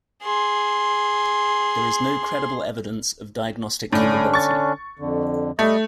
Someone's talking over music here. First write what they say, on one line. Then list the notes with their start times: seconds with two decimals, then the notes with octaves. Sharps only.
There is no credible evidence of diagnostic capability.
0.23 G#4 C6
3.92 A2 D3 C#4 D4
4.34 C#6 A6
4.99 F2 D3
5.59 G3 A3 D#5